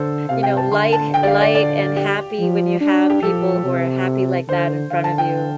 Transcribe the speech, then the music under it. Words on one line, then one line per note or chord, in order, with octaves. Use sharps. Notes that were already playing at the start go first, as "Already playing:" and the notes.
you know, light ha light and happy when you have people who are happy like that in front of you,
Already playing: D3 A4 C5
C3 F5
G5
A5
D3 C6
A5
G5
D5
F5
D5
D5
G4
F3
D4
G4
F3 A4
C3
D3 C5
D3 F5
A5
G5